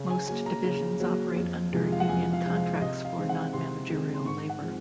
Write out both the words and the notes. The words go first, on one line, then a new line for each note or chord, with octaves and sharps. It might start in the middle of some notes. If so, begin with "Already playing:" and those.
Most divisions operate under union contracts for non-managerial labor.
Already playing: C#3
G#5
F#3 A#3 G#5
A#5
C#3
F#3 A#3
F2
C3 F3 G#3
F5
F#5
F2 G#5
F5
C3 F3 G#3
F5
C3 D#5
F5
D#3 G#3 C4
F#5
C3 C6
D#3 G#3 C4
C6
G#2 C#6
F#5
F3 G#3 C4